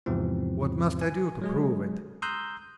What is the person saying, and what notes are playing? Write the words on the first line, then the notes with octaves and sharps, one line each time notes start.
"What must I do to prove it?"
E2 G#2 C3 E3 F3 C4
G#5
F#3 G#3 G#4
A#5 C6 D#6 E6 F#6 G6